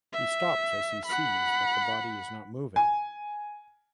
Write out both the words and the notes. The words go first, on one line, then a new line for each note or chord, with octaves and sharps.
He stops as he sees that the body is not moving.
E5
F#5 B5
G#5